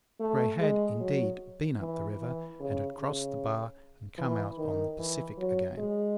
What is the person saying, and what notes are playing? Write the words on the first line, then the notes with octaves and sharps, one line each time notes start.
Gray had, indeed, been up the river, and had crossed the bar and come out on the Pacific again.
A3
G#3
F#3
E3
E3
C#3
C#3
E3
D#3
E3
F#3
G#3